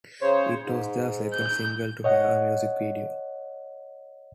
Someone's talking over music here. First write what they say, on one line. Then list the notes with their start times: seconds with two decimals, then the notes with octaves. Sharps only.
It was their second single to have a music video.
0.22 C#3 C5 C#5
0.64 G#2
1.34 G6
2.04 C#5 D#5 F#5